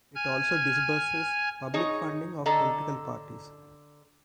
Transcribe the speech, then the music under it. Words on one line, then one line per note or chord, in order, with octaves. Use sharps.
It also disburses public funding of political parties.
G#5 F6 G#6
D#4 G#4 C#5
D3 A4 D#5 A#5